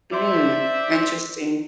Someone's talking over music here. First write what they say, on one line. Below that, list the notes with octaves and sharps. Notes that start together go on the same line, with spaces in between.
Mm, interesting.
C5 D5 E5